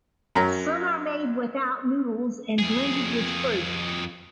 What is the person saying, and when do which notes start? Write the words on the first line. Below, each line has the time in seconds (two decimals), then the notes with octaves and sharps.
Some are made without noodles and blended with fruit.
0.35 F#2 F#3 A#5
2.59 F2 G#4